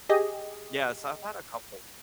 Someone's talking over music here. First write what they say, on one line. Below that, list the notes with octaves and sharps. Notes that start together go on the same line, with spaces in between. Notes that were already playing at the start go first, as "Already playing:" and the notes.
Yeah, so I've had a couple.
G4 G#4 D#5